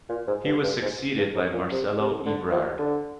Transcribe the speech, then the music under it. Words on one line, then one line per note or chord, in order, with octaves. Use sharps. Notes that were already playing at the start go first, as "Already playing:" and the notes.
He was succeeded by Marcelo Ebrard.
A#2
G#2
G2
G2
G#2
G2
G#2
A#2
C3
C3
D3
F3
D3